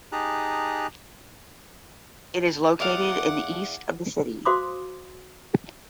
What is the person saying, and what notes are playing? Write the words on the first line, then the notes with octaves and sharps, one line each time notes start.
It is located in the east of the city.
D#4 G4 G#4 A5 A#5 F#6
E2 F5 F#5 D6
F#4 C5 F5 C6 D6 D#6